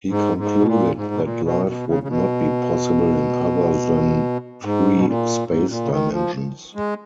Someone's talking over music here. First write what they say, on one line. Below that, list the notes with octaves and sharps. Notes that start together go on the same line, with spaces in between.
He concluded that life would not be possible in other than three space dimensions.
G#2
G#2
B2
A#2
G#2
B2
A#2
B2
A#2
B2
C#3
C#3
B2
G#2
B2
A#2
G#2
A#2
C#3
D#3
F3
G#3